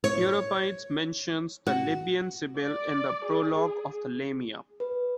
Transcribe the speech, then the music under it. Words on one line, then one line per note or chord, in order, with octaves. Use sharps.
Euripides mentions the Libyan Sibyl in the prologue of the "Lamia".
C#5
F#4
D5
G#4
B4